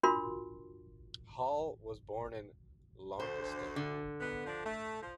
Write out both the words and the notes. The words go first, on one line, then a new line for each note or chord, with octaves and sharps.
Hall was born in Launceston.
D4 F4 F#4 A#4 C6
D2 C5
D3
B3
F3 D4
A3
F3